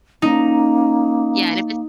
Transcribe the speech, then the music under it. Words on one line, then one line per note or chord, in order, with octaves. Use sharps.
Yeah, and if it's
A#3 C#4 D#4